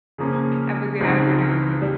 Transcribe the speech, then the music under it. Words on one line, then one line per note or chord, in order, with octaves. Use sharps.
Have a good afternoon.
C#3 F3 A#3 C#4
C#2 C#3 F3 C4 D#4
G3